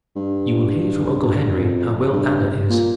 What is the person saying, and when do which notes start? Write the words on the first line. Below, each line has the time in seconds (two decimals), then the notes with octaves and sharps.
'You will hear from uncle Henry how well Anna is.
0.16 G2
1.56 F2
2.12 G2
2.69 A#2